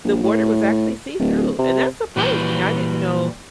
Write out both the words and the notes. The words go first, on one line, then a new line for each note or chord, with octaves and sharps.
the water was actually see-through, and that surprised me. I didn't know
A#1
A2
D1
C3
A#2 E3 G3 F#4 G5